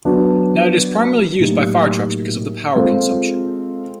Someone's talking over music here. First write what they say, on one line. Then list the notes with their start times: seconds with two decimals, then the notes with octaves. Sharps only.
Now it is primarily used by fire trucks because of the power consumption.
0.05 F#3 B3 D4 F#4
1.40 A2 F#3 A#3 D#4 G4
2.76 G#3 C4 F4 A4